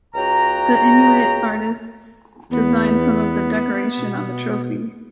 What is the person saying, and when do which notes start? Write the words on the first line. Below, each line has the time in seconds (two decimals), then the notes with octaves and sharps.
The Inuit artists designed some of the decoration on the trophy.
0.14 C#2 C#3 F#4 G5 A#5
2.51 E2 B3
3.99 B2